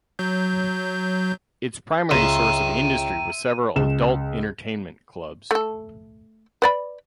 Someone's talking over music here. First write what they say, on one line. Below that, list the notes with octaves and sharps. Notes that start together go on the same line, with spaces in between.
Its primary source of industry was several adult entertainment clubs.
F#3 G6
C#2 E5 G5 A#5 C6 D#7
C#2 E7
A3 A4
B4 D5 B5